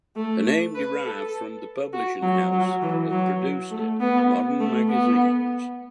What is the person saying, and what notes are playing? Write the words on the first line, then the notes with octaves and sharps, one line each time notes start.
The name derived from the publishing house that produced it, Modern Magazines.
A3
B4
A4
F#4
F#3
F#3
E3
F#3
A3
B3
A3
B3